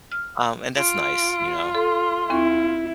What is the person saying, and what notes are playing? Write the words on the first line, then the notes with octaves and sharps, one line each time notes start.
Um, and that's nice, you know?
F6
F4 D7
A4 C6
D#2 C4 E4 C#6